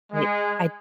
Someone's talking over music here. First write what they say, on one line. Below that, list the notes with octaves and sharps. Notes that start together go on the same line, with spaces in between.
I I
G#3